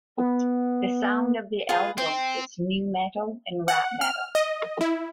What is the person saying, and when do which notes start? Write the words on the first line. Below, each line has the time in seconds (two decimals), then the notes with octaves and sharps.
The sound of the album is nu metal and rap metal.
0.17 B3
1.69 F4 G#4 B4
1.98 C4 G5
3.68 F#5
4.01 F6
4.35 D#5
4.81 E4